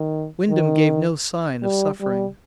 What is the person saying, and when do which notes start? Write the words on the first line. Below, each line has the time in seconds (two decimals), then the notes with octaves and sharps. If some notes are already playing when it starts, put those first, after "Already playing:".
Wyndham gave no sign of suffering.
Already playing: D#3
0.50 D#3
1.63 G3
2.00 G3